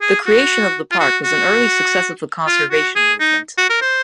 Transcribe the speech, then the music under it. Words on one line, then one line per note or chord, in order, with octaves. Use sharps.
The creation of the park was an early success of the conservation movement.
G#4
F#4
F4
F#4
F#4
F4
F#4
G#4
D#4
F#4
A#4
C5